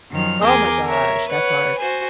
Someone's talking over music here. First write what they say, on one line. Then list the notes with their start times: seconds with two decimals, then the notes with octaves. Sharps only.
Oh my gosh. That's hard.
0.12 F#2 D#3 F3 F6
0.43 E2 G#4 A#4 G#5 D6 G6
0.85 A#4 C#5 E5
1.28 B4 C#5 F#5
1.77 F#4 C5 G#5